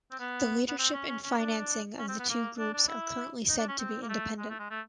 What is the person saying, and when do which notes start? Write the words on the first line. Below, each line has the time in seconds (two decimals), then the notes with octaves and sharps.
The leadership and financing of the two groups are currently said to be independent.
0.11 C4
0.20 B3
0.68 B3
0.79 C4
0.93 C#4
1.08 C#4
1.24 C#4
1.39 D4
1.99 C#4
2.08 C4
2.19 B3
2.29 A#3
2.59 D4
2.73 D4
2.88 E4
3.49 D#4
3.58 D4
3.68 C#4
3.79 C4
4.02 A#3
4.09 A3
4.38 G#3
4.50 A3
4.59 G#3
4.70 A3